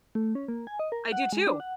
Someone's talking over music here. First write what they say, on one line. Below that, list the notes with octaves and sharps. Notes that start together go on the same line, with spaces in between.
I do too.
A3
C#4
A#3
G#5
D#5
A#4
F#5
G#3
D4
F#5